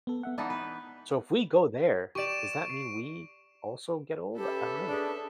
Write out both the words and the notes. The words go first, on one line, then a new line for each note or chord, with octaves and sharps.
So, if we go there, does that mean we also get old? I don't know.
B3 A4
B3 E5 F#5
E3 B3 D#4 D5 E5 A5
B4 B5
G4 D5 C#6 D7 E7
C7
C#4 G4 A4 B4 E5
D4 G#4